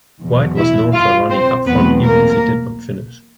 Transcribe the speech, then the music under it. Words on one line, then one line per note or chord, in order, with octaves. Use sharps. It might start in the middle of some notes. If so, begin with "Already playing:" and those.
White was known for running up front even if he did not finish.
E2 B2 F#3
E4 E5
F4 F5
C4 C5
E2 B2 F#3 A3 B3 C4 B4
A#3 A#4